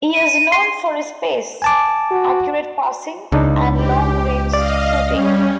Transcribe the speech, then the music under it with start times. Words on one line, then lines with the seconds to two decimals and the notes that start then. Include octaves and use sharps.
He is known for his pace, accurate passing and long range shooting.
0.14 D#7
0.52 C6
1.62 G#5 A5 D6
2.11 F#4
3.32 C#2 C#3 D4 D#4
3.72 G4
4.54 D5 D#5 F5
5.08 G3 C#4